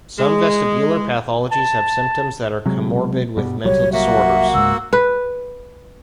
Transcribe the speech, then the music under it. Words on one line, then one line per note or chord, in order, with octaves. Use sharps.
Some vestibular pathologies have symptoms that are comorbid with mental disorders.
G#3
A5
C3 F#3 G#3
G2 B2 G3
C2 F#3 G3 C#5
A#3 F#4 E5 F#5
C#2 G#2 E6
B4